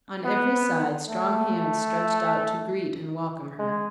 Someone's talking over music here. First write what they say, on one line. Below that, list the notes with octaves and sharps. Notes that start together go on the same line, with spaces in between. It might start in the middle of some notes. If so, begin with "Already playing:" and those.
On every side strong hands stretched out to greet and welcome her.
B3
A3
G#3